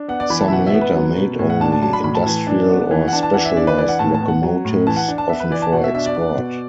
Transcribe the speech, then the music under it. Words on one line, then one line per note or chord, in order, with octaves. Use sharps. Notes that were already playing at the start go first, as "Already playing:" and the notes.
Some later made only industrial or specialised locomotives, often for export.
Already playing: D4
B3 F#5
D5
E3 B5
A5
E5
B2 F#5
E5
B3
B4
F#3
B2
A2
F#5
D4 A5
A5
F#3 A5
B5
A2 B5
A5
E3
D4
B3
E3
F#5
D4 A5
A5
E3 F#5
E5
D4 D5
B4
E3 D5
F#5
A2 A5
A5
B3
F#5
F#3
A2
E3 A5
F#5
D4
A5
B3 E5
B4
E3 D5
A5
B2 F#5
E5
D4 E5
D5
B3
B2